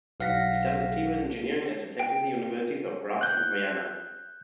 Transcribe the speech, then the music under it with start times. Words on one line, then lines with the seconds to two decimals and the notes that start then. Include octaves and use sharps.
He studied civil engineering at the Technical Universities of Graz and Vienna.
0.20 B1 F5 F#5 A#6 B6
1.99 G5
3.21 F#6 G6